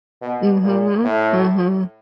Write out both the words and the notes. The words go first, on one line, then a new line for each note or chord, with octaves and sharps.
Mhm, mhm.
B2
A#2
A2